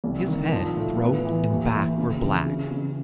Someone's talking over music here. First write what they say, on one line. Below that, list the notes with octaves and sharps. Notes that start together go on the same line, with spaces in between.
His head, throat and back were black.
C2
D#3
F3
A2
B3
E3
D#2
E3
C#3
E3
C#3
C#3